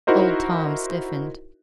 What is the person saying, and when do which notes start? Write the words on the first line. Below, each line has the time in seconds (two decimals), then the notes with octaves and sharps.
Old Tom stiffened.
0.07 D#4 E4 F#4 A#4 C5 D#5